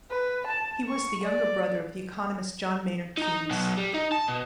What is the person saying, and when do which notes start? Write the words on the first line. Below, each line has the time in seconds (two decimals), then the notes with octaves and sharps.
He was the younger brother of the economist John Maynard Keynes.
0.10 B4
0.47 A5
0.89 C#6
1.24 D5
3.17 D#4 A#5
3.50 B2 F#3
3.77 G3
3.94 D#4
4.12 A5
4.28 B2